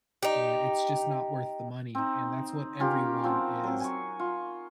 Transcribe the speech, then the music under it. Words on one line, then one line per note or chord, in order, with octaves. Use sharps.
and it's just not worth the money, and that's what everyone is
D#4 G4
C4 D#4
C#4 F4 G4 A#4
F3 C4 F#4
F#3 C4
G#5 C#6
F4